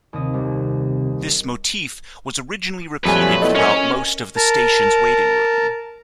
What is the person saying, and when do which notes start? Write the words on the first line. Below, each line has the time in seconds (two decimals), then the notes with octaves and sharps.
This motif was originally repeated throughout most of the station's waiting room.
0.13 D#2 C3 D#5
0.34 C2
3.05 F2 A#2 F#3 G3 A3 B4 G#5
3.42 B3 E4 A4 D#5
3.56 C#4 A#4 G#5
4.36 A#4 A5 A#5